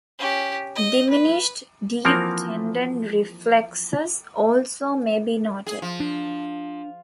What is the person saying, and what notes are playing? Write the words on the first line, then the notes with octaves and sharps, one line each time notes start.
Diminished deep tendon reflexes also may be noted.
C#4 G4
D#5
B4
E3 F3 A#3 C4 F#4 A#4
G#4
F3
D4